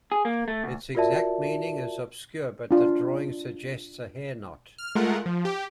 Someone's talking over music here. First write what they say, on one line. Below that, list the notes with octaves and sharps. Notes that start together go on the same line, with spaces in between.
Its exact meaning is obscure but the drawing suggests a hair knot.
G#4
A#3
A3
D2
F4 F#4 A#4 D5 E5 A5
D4 F4
F6
G#3 A3 F4 A#4 F#5
F3
G4